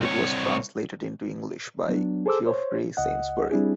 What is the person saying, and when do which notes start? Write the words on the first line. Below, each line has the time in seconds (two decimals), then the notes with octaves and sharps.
It was translated into English by Geoffrey Sainsbury.
0.01 C2 C#5
1.88 F#3 B3 D4
2.26 G#4 A4 C5 D6 E6
2.46 C5 C#5
2.97 C#2 D#5 F#5
3.51 G3 C4 D4 E4 G#4